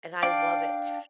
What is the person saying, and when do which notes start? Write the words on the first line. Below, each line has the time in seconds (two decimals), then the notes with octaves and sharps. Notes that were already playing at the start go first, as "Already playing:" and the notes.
And I love it.
0.23 D4 D5 F5 G5 D6